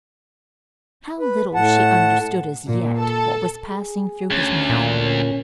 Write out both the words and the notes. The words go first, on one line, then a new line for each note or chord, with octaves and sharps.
How little she understood as yet what was passing through his mind.
B4
A2 F#5 A5
A#2
A4
G#4
D2 C#4
A#2
C#4